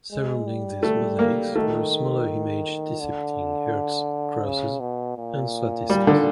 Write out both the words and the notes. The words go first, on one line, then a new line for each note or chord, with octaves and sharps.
Surrounding these mosaics were smaller images depicting hearts, crosses and swastikas.
G#3
G3
A3
A#3
D#3 A3
D3
C#3
B2
A#2
G3
D3